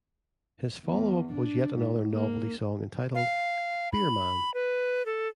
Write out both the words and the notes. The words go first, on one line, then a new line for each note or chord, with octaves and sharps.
His followup was yet another novelty song entitled "Beer Man".
E2
D4
G#2
A#3
F5
B5
B4
A4